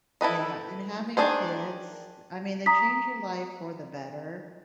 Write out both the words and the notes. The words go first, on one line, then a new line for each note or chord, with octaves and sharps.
Yeah, and having kids, I mean, they change your life for the better,
E4 A4 B4 D#5
D#3 A#3 D4 G#4 C5
A#5 D#6 B6